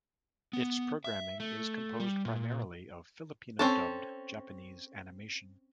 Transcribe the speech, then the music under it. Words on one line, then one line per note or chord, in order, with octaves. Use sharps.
Its programming is composed primarily of Filipino-dubbed Japanese animation.
B3
E5
A3
G3
A#2
C4 C#4 A4